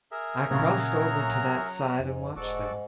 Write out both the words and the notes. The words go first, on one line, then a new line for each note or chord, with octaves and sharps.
I crossed over to that side and watched them.
G#4 A#4 E5
A#2 C#3 F#3 F#5 A#5
F2 G#2
E1 G#2 F#4 A4 D5